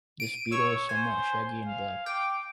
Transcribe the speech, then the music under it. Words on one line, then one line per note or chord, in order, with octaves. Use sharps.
This beetle is somewhat shaggy and black.
D7 D#7
C#5 C#6 E6
C5 G#5
F5
G5 D6